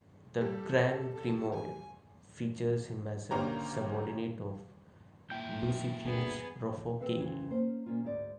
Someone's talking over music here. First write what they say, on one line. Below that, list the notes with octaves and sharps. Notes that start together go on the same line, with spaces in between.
The "Grand Grimoire" features him as a subordinate of Lucifuge Rofocale.
G3 A4
A4
G#5
G#1 D3 A#3 C#4 G4 A#5
A#2 E4 G5 G6
F#2 B2 D#3
G1 D2 D3 B3 G#4
C4 A4 B4 F5
F2 C#3 E3
A#3 C#4 C5
A#2 A#3 C#4 F4
D2 G#2 D5